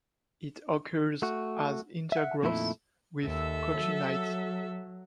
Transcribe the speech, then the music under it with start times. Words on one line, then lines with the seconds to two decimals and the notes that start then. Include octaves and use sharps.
It occurs as intergrowths with cotunnite.
1.22 A3 F#4
2.12 E5 F#5
2.43 F2 A#2 D#3 A3 E4
3.24 D#2 A4 E5
3.77 F#3